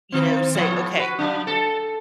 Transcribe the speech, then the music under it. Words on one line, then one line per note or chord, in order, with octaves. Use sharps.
you know, say, "Okay,
D#3 C4
A2 F3 B3
F#4 B4
F#3 D4
A4